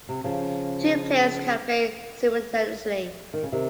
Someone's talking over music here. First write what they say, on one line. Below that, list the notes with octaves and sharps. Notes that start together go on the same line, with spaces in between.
Two players can play simultaneously.
C3
C#3 F3
D#3
C#3
C3 D#3